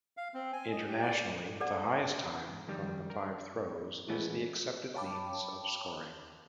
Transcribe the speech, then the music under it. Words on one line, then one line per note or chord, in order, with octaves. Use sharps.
Internationally, the highest time from the five throws is the accepted means of scoring.
F5
C4
G#5
D#5
G4
D5
A4 D5 F#5
F2 D#3 G3
A#4
E3 G#3 A3 B3 C#4
C#5 F5 G5 A5 B5 D6